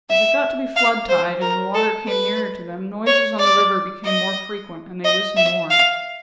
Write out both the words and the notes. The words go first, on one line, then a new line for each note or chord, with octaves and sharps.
As it got to be flood-tide, and the water came nearer to them, noises on the river became more frequent, and they listened more.
E5
F5
C5
A#4
A4
B4
C#5
D5
D#5
D#5
E5
F5